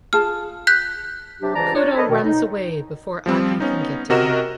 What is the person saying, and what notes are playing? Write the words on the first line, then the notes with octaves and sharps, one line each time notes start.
Kudoh runs away before Aki can get to him.
F4 G#4 A5 F6
F#6 G6 B6
C3 F#3 D4 G4
C#2 E3 C5 D5 A5 A#5
D4 F4 C#5
A4 A#4 C5 C#5 D#5 B5
B2 D#3
D#4
F3 G3 C4
B3 C#4 D#4
C3 F#4 A#4 D#5 E7